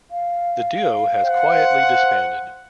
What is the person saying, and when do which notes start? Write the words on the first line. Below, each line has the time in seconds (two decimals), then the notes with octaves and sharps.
The duo has quietly disbanded.
0.11 F5
1.24 C5 F#5